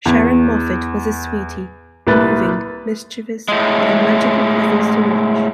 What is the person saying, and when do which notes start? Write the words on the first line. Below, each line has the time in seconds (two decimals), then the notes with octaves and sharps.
Sharyn Moffett was a sweetie; moving, mischievous and a magical presence to watch.
0.06 E2
2.07 C2 A#2 B4 A6
3.48 A2 G#3